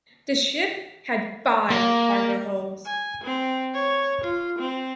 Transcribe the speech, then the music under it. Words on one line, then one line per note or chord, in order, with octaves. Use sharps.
The ship had five cargo holds.
A#3
G#5
C4
C#5
F4
C4